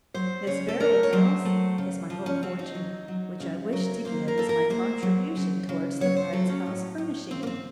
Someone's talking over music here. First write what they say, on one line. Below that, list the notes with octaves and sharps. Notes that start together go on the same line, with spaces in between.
This barrel of nails is my whole fortune, which I wish to give as my contribution towards the bride's house furnishing.'
F#3 C5
C#3 C#5
A4
A3 A#4
C#5
F#3 C5
A3
C#3
F3
C#4
C#3 C4
D#4
F#3
F#3
C#3
F#3 A#4
A#3 C5
A#4
A#3 A4
A#4
A#3 C5
F#3
C#3
C#3
F#3 C#5
C5
F#3 A4
C#4
A2
A2
C#3 C4
A#3
C4